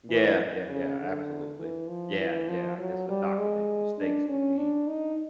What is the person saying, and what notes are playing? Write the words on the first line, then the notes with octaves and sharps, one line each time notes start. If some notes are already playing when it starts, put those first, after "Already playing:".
Yeah, yeah, yeah absolutely. Yeah, yeah I guess a doctor making mistakes could be,
E3
C#3
D3
E3
F3
E3
F3
F#3
G3
G#3
D4
C#4
D4
D#4